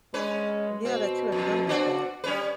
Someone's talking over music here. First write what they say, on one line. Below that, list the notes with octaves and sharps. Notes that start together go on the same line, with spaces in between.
Yeah, that too. I forgot about that.
G#3 C#4 B4
B2 C4
F2
C4 D4 F#4
G3 C#4 B4